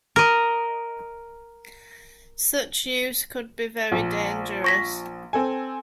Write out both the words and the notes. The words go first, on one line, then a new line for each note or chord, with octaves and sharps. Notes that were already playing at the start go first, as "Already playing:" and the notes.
Such use could be very dangerous.
A#4 D#5
A#1
C#6 A#6 B6
C4 A4 G#5